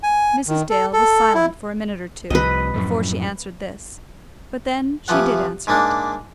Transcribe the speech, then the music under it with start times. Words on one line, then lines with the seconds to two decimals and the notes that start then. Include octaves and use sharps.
Mrs. Dale was silent for a minute or two before she answered this, but then she did answer it.
0.03 G#5
0.48 D#3
0.70 A4
0.93 A4
1.35 E4
2.30 C2 C3 F3 B4 D#5
2.74 F#2 A2 F3
5.08 C3 E3 F3 F#5
5.67 G#2 G#3 A#3 D4